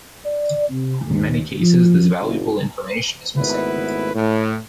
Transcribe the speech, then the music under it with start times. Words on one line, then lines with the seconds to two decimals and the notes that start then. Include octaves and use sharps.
In many cases this valuable information is missing.
0.25 D5
0.69 C3
1.05 D#2
1.60 F3
2.21 F#1
3.35 G#1 A3 B3 E4 B4
4.15 A2